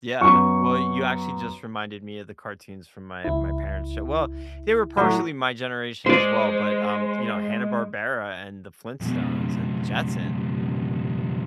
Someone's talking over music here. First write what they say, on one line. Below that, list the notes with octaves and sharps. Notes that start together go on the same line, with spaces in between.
Yeah. Well, you actually just reminded me of the cartoons from my my parent's show. Well, they were partially my generation as well, but, um, you know, Hanna-Barbera, and the Flintstones, and the Jetsons,
F#2 B3 C#6
C#2 E4
A2 F#3
G#3 C5 D5 C6
F2 B2